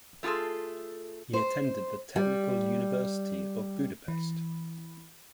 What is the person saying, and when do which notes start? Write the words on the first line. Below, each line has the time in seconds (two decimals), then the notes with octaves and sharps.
He attended the Technical University of Budapest.
0.23 A3 F4 F#4 G#4 A4
1.33 C5
2.16 G3
4.08 E3